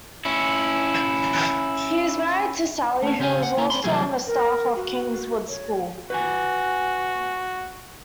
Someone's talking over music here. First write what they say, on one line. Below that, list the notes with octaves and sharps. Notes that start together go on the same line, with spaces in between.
He is married to Sally, who was also on the staff of Kingswood School.
C#4 E4
A3 C#4
C#3 C4 G4 F5 G#5
F#5
A#3 B3 E4 A#5
C4 C#4 B5 C6
C3 E3 F#3 G3 A3 G#4
A#4
F#4
C#5
F#4 B4 G#5